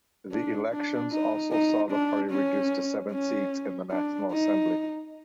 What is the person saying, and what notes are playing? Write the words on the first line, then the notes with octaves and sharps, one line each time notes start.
The elections also saw the party reduced to seven seats in the National Assembly.
D4
D4
D#4
D#4
D4
C#4
C#4
D4
D#4